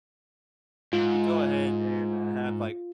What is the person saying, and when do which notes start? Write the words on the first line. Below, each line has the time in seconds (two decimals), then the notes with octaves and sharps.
You go ahead and, uh, have, like
0.93 G#2 F4